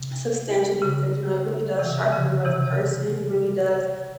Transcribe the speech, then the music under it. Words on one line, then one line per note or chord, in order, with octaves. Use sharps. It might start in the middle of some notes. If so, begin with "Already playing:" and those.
substantially because, you know, it really does sharpen you as a person, it really does
Already playing: C3
C#3
C3 E3
C#3 F3
C3 E3